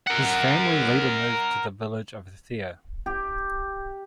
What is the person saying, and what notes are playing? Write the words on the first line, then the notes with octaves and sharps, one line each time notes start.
His family later moved to the village of Athea.
A#4 F#5
G4